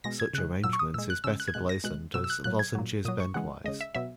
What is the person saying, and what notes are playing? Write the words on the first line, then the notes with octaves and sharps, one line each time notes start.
Such arrangement is better blazoned as "lozenges bendwise".
B2 G#3 A#6
G#6
C#3 G#3 F#6
A#2 F#3 E6
C#6
D#6
A#2 G#3 E6
F#6
C#3 G#3 E6
F#6
G#6
B2 G#3 F#6
A#6
B2 G#3 F#6
B2 F#3 E6
E6
F#6
A#2 F#3 F#6
G#6
A#2 F#3
A#2 F#3 D#6
C#6
C#3 E3 G#3 F#5
C#3 G#3 D#5
E5
B2 F#3 E5